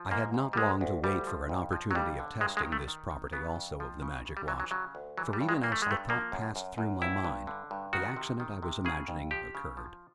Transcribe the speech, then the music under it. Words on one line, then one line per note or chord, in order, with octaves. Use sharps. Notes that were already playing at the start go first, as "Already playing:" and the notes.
I had not long to wait for an opportunity of testing this property also of the Magic Watch, for, even as the thought passed through my mind, the accident I was imagining occurred.
Already playing: F3
G#2 A#3
G#2
G3
D2 G#3
D2
D2 G3
F3
F2
F3
F#3
F2 G3
D3
G2 G#3
G#3
D#3
A3
D#3
D#3
C#3 B3
F2
F3
C#3
C#3
G3
E3 F#3
F#3
C#3 F#3
D2
E3 F#3
G3
G2
G#3
E3 A#3
A3
G#3
G2 A3
F3 A#3
F#2
F#2
F#2
G2 E4
G2
D3
G2
D#3 F#4
C3
D#3
C3
C#3 G#4
F2
F3 G4
C#3
F3